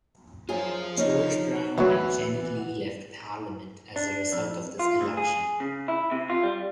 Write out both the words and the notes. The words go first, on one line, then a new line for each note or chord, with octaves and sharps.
George Brown and Jennie Lee left Parliament as a result of this election.
F#2 F4 G#4 C5
C#4 D#4
D2 E3 F#3 B3 E5
D4
F2
F4
D2
G#4
C#3
E4
C3
F4
G3